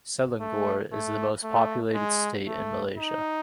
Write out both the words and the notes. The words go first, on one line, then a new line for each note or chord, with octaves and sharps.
Selangor is the most populated state in Malaysia.
A3
A3
A3
G#3
A3
D#4